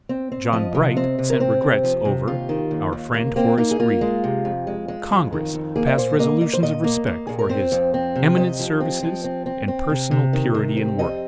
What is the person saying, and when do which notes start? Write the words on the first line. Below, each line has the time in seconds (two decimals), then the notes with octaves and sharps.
John Bright sent regrets over "our friend, Horace Greeley." Congress passed resolutions of respect for his "eminent services and personal purity and worth."
0.09 C4
0.32 C4
0.53 F3 D#5
0.75 C3
0.97 C4
1.18 C3
1.30 A#4
1.40 C4 C5
1.62 C3
1.83 F3
2.05 C3
2.28 D#2 F4
2.49 D#3
2.71 D#2
2.93 D#2
3.14 A#3
3.36 A#3 C4
3.58 A#3 D#4
3.71 G#4
3.80 A#3 F4
4.01 G#3
4.24 C3
4.45 F2
4.67 G#3
4.88 G#3
5.11 F2
5.33 D#3
5.53 F2
5.76 A#3 G#4
5.87 D#5
5.98 A#2 C5
6.19 A#3 D#5
6.41 A#3 D#5
6.53 C5
6.63 A#2 D#5
6.84 A#3
7.07 A#3
7.27 A#2 G#4
7.39 A#4
7.49 C4 C5
7.72 F2
7.94 C4
8.16 C3
8.37 F2 D#5
8.59 F3
8.80 C4
9.03 F3
9.24 C4
9.46 C4
9.68 C4
9.90 C3
10.11 C3
10.33 D#3
10.54 C3
10.77 C4
10.99 F2 D#5